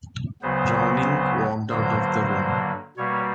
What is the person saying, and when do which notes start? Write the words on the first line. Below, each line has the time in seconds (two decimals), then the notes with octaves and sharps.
Downing walked out of the room.
0.42 D2 C#3 F#3 B3 C5
1.69 G2 D3 F#3 A#3 C5
2.97 B2 G3 A#3 C#5